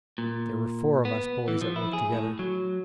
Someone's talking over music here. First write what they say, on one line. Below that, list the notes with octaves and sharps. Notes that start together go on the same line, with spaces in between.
There were four of us boys at work together.
A#2
B3
E3
F3
E4
G#4
A2
F#3